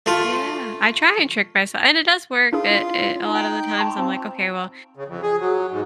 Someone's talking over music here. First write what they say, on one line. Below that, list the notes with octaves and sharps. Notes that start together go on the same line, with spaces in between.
Yeah. I try and trick mys and it does work, i i a lot of the times I'm like, "Okay, well,
A3 F4
D4 E4 F4 G#4
D#4
G5
A5 C6 C#6
C4 F4
C#3
F2
G#4
F#3
G#2